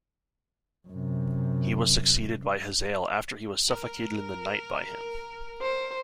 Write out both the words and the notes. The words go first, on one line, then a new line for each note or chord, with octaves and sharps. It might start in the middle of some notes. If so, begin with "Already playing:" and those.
He was succeeded by Hazael after he was suffocated in the night by him.
F#2 C3
A#4
C5